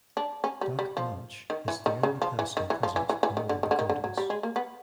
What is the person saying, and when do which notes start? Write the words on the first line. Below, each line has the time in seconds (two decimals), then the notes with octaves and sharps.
Doug Martsch is the only person present on all the recordings.
0.17 D4
0.44 C#4
0.61 G3
0.79 G3
0.97 F3
1.50 D#3
1.68 E3
1.86 D#3
2.03 C#3
2.22 F3
2.39 E3
2.57 D#3
2.70 E3
2.83 F3
2.96 E3
3.09 E3
3.23 E3
3.37 D#3
3.49 D3
3.63 D#3
3.71 D3
3.79 D#3
3.90 D3
4.04 F#3
4.17 G3
4.30 G#3
4.43 A#3
4.56 B3